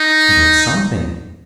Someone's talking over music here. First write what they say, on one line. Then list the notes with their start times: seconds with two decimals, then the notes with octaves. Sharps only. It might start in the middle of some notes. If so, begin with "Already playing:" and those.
And that's something.
Already playing: D#4